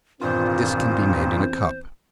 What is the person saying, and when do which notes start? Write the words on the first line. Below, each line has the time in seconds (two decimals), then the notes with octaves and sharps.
This can be made in a cup.
0.21 E2 G2 A#2 D#3 C4 F4 C5